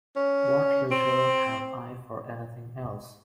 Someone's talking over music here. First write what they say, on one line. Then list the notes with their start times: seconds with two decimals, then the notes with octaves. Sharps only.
What leisure have I for anything else?
0.16 C#4
0.91 C4